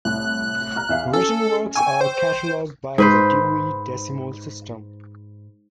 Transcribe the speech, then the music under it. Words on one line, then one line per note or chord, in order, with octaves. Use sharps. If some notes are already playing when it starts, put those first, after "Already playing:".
Written works are catalogued by the Dewey Decimal System.
C2 A2 F#6
A#5 F6
E2 E5 F5
C#4 A4
G5 G#5 C#6 E6
C5
G#2 B4 C5